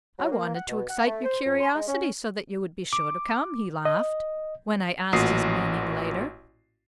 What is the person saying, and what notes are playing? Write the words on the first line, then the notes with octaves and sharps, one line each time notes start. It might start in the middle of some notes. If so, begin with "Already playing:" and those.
"I wanted to excite your curiosity so that you would be sure to come," he laughed, when I asked his meaning later.
F#3
A#3
F#5
B2
F#5
A3
C5
F2
C6
G#3
C#4
D6
D#5
A1 A#2 F#4 D#6 C7